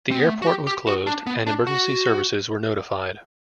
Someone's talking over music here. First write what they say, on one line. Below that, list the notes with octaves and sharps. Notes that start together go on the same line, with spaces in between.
The airport was closed and emergency services were notified.
C4
B3
A3
F#4
G4
G4
F#4
D4
B3
D4
F#4